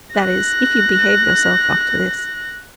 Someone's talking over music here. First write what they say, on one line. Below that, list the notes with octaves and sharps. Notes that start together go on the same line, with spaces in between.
"That is, if you behave yourselves after this."
F#6 A#6